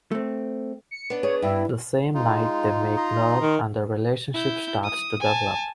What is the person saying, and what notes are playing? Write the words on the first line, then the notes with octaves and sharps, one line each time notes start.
The same night they make love and their relationship starts to develop.
A3 C4
C#7
B3 D4
G#4 C#5
G2 E4
G#3 D#4 F4
A#5 C6 D#6
D#3
E4 G6
D#6
G#5 A5